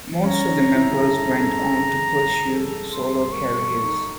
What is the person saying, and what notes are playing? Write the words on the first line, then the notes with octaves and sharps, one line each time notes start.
Most of the members went on to pursue solo careers.
C#4 A#5
D#4
E4
G#4
A4
A4
G#4
G#4
A4
C6
A#4 C#6
A4
D#4